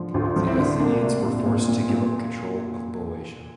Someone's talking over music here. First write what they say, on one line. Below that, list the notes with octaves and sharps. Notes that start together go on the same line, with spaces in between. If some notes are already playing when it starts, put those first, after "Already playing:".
The Athenians were forced to give up control of Boeotia.
Already playing: D3 F3
D2 D4 F4
F3
C4 E4
D3
C2 A#3 D4
A3
A#2
A#2
A#2
A#2